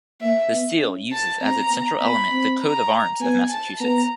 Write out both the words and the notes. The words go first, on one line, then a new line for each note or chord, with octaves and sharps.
The Seal uses as its central element the Coat of Arms of Massachusetts.
A#3 E5
B3
C#4
A5
C4 A#5
B3
B3 B5
C4
A#5
B3 G#5
A5
B3 A#5